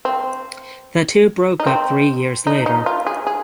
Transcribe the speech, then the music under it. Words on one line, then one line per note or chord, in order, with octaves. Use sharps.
The two broke up three years later.
C4
D#4
C4
D#4
D#4
F4
G#4
G#4